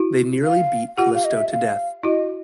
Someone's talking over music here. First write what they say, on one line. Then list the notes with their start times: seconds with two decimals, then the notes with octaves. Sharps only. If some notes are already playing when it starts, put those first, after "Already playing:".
They nearly beat Callisto to death.
Already playing: E4 F#4
0.44 F5
0.97 F4 G4 F#5
1.15 F5
1.24 D#5
1.33 E5
1.51 F5
2.03 E4 F#4 D#5